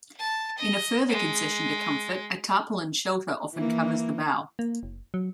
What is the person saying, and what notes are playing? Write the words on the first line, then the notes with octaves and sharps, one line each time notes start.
In a further concession to comfort, a tarpaulin shelter often covers the bow.
A5
D#5
G#3
E3 A#3
A#3
F#1
F#3